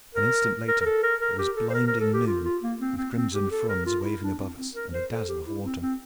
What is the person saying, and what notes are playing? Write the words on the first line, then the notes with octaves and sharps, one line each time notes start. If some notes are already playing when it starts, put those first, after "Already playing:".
An instant later it was blinding noon, with crimson fronds waving above us and a dazzle of water.
A#4
A#4
A#4
A4
A#4
A#4
G4
A4
C5
A#4
A#4
A4
G4
F4
F4
A#3
C4
C4
C4
G4
A4
A#4
F4
E4
D4
C4
C4
A#4
C5
A4
G4
E4
C4
C4